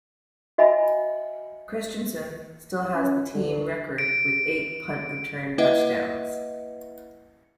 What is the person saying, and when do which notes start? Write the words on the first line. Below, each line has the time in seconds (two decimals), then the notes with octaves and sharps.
Christiansen still has the team record with eight punt return touchdowns.
0.58 F#4 D#5 E5 G#5 B5
2.95 C#4
3.34 D3
3.98 D7
5.58 A#3 E4 B4 D#5 E5 F#5